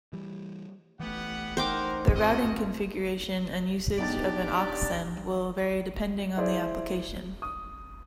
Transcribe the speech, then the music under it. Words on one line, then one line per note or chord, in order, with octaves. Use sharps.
The routing configuration and usage of an aux-send will vary depending on the application.
E3 G3
E3 A3 B3 G4 F#5
D#4 A#4 C5 F#5 G5 D6
C4 F4 F#4 D#5
B1 D4 D#4 G4 D5 A6
E4 G#4 C5 D5 E5
D#6